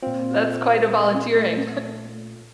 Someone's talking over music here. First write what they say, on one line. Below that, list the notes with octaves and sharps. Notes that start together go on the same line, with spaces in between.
that's quite a volunteering.
A#2 C4 F4
A3